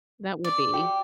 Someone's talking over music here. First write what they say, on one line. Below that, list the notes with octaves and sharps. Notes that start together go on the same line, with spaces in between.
That would be.
D5
F#4 G5